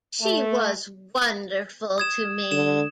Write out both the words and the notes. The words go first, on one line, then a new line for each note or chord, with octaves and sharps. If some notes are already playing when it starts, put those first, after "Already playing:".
She was wonderful to me.
A3
D#6 G#6 E7
D3 E7